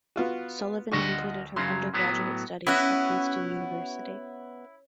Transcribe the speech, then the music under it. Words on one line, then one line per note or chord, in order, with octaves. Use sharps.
Sullivan completed her undergraduate studies at Princeton University.
B3 F4 F#4
D2 G3 F4 D#5 F#5 C#6
F#2 C#3 F#3 C6
A2 F#3 B3
B3 C#4 E4 F#4 F#6